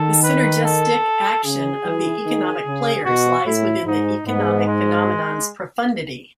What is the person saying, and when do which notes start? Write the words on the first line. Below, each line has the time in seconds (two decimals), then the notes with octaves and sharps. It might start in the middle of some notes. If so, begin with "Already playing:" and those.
The synergistic action of the economic players lies within the economic phenomenon's profundity.
Already playing: D#3 A4
0.23 B4
0.64 A4
1.44 C#3 G#4
1.85 E3
2.25 D#3
2.66 C#3
3.05 B2 F#4
3.46 A2 E4
3.86 G#2 D#4
4.27 G#2 B3
4.67 G#3